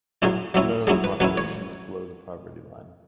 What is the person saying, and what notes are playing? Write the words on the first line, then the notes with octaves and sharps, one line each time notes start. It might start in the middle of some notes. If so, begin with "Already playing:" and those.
None of the population is below the poverty line.
C#3 F#3 C#4 E4
F#3 C#4 E4 E5
F#3 C#4 E4 G#4
B4
F#3 C#4 E4 B4
C#5